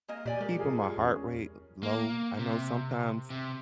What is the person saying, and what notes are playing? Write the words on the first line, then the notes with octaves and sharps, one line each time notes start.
keeping my heart rate l low. I know sometimes
G#3 A#3 D#5
A#2 G4 D5 G#5
G#3 G4 A#4
F3 G#4 A#4
E2 C#4
A#3
C3
C3